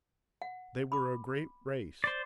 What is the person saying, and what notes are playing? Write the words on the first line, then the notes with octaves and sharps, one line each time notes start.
They were a great race.
F#5
B5 D6
C5 D5